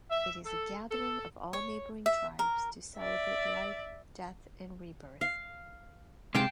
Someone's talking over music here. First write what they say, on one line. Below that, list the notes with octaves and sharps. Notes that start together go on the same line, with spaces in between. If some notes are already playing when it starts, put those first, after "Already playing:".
It is a gathering of all neighbouring tribes to celebrate life, death, and rebirth.
E5
A4
A4
C#5
E5
A#4
D5 E5
F5
C3 G#3 F5 G5 A5